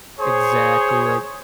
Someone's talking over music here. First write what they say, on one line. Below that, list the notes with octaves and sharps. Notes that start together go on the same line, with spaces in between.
exactly, like,
G#4 C5 C#5